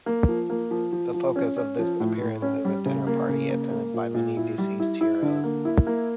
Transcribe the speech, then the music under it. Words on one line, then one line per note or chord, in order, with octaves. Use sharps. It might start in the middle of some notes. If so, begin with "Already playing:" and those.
The focus of this appearance is a dinner party attended by many deceased heroes.
A#3
F3
A#3
F3
F3
F3
C#4
C#4
F3
A2
A2
C#4
G3
C#3
A#3
C#3
A#3
A#3
A#2
A#2
E4
G3
E4
E4
D3
A#3
E4
A#3